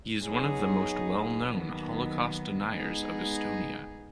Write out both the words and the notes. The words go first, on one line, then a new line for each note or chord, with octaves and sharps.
He is one of the most well known Holocaust deniers of Estonia.
F#3 B3 D#4 G#4 C#5
D#2 D#3 F#3 B3
G#3 B3 D#4 G#4